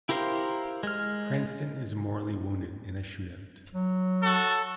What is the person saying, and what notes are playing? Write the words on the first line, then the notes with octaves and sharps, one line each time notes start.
Cranston is mortally wounded in a shootout.
E4 G4 A#4 C5 F5
G#3 F6
F#3
F#4 A4